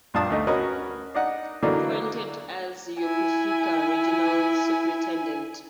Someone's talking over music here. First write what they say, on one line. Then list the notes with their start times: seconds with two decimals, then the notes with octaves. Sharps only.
Appointed as Yokosuka Regional Superintendent.
0.14 A#1 G2 D4 F4 A5 D#6
0.30 D2 A3 D#4
0.47 C#4 F#4 A#4 B4 D#5
1.14 D4 D#4 F#5
1.63 D3 E3 F#3 A#3 D4 D#4
2.99 E4 G#5